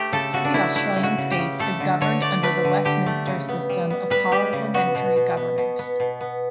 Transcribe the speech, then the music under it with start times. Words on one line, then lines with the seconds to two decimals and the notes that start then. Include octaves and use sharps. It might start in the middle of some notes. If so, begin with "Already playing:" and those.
Each of the Australian states is governed under the Westminster system of parliamentary government.
Already playing: A3 G4
0.12 C#3 A4
0.33 C#3 F#4
0.45 D4
0.54 A3 E4
0.75 A3 E4
0.96 C#3
1.03 F#4
1.18 C#3
1.31 G4
1.39 C#3
1.59 A3 A4
1.80 D3
2.01 D3 C#5
2.22 A3 D5
2.43 A3 B4
2.64 D3
2.85 D3 G4
3.06 A3
3.27 C#3
3.49 B3
3.69 G3
3.90 B3
4.10 G3 B4
4.32 G3 G4
4.53 C#3
4.74 B3 F#4
4.95 B2
5.16 B2
5.37 B3
5.58 B2
5.79 B3
6.00 B2
6.21 B3